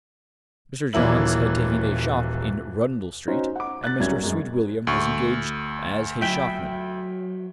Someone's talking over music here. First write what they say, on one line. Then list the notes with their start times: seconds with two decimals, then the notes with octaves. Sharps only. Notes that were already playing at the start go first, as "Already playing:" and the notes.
Mr. Johns had taken a shop in Rundle-street, and Mr. Sweetwilliam was engaged as his shopman.
0.93 D#1 E3 F#3 A#3 E4 F#7
3.28 C#4 D#4 F#4 C5
3.56 F#5 D6
3.84 F#6 A6
4.00 C2 F#3 C#4 E5 G#6
4.23 F#2 G#3
4.87 D2 C#6
6.21 F#3 E5 G5 B5